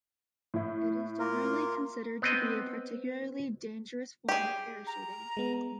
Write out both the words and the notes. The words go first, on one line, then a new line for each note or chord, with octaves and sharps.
It is generally considered to be a particularly dangerous form of parachuting.
A2 E4
A#3 F4 A#4
B3 C4 D#5
G4 G#4
A#5
G#3 B3